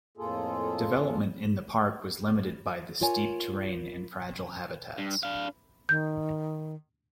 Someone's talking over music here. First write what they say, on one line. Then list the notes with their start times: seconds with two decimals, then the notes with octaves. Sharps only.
Development in the park was limited by the steep terrain and fragile habitats.
0.17 F2 A2 A#3 F4 G#4 A4
3.01 F4 A#4 C#5 G#5
4.98 G2
5.23 D4 F5
5.89 D#3 G6